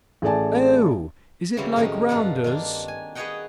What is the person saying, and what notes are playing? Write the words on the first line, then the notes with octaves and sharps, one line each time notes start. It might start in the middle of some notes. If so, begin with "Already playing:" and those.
"Oh, is it like rounders?"
A1 A3 G#4 D5 G#5 A5
C#3 E3 F#3 G3 C4
A2 D#3 F3 F#3 D#4
G2 F3 D4 F4 F#5
D#3 A#3 D4
G#5
G#4 B4 C#5 D#5 F#5 G5